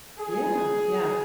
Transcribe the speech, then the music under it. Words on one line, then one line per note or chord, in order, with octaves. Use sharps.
Yeah. Yeah.
G#4